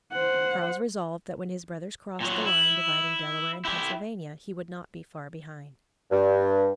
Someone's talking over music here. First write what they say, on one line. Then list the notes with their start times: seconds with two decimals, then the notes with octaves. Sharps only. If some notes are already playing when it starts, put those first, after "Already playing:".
Charles resolved that when his brothers crossed the line dividing Delaware and Pennsylvania, he would not be far behind.
0.12 C5 F#5
2.21 A#2 F#3
2.46 E4
3.65 E4 G4
6.11 G2